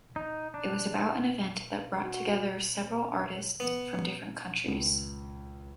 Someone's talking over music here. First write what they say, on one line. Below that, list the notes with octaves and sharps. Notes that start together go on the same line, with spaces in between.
It was about an event that brought together several artist from different countries.
D#4
D4
F#4
C4
B3
C#2